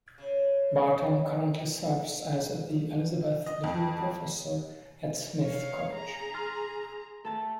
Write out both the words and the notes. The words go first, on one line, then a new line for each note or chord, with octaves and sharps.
Barton currently serves as the Elizabeth Drew Professor at Smith College.
C#3
D#5
F2
C#5 F5
G#4 A#5
C6 F6 A6
A3 A4 A5 A6